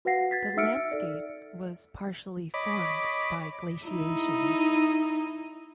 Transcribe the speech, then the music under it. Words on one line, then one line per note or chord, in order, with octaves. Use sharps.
The landscape was partially formed by glaciation.
F#4 B4 F5 F#5 A#6 C7
G#6 A6 B6
D#4 E5 E6 F6 C#7 D7
A4 D5
C#5 D#5 B5 D6
D#4 E4